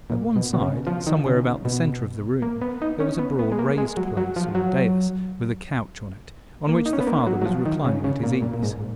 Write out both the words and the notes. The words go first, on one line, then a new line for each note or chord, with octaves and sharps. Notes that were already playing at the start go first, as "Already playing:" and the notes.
At one side, somewhere about the center of the room, there was a broad raised place, or dais, with a couch on it, on which the father was reclining at his ease.
A#2
B2
B2
C#3
F3
D#3
C#3
B2
A#3
B3
D#4
C#4
B3
B3
G#3
A#3
G#3
F#3
F#3
F3
F#3
A#3
D#4
C#4
B3
A#3
F#3
F#3
F3
D#3
C#3
C#3
A#2
A#2
A#2
G#2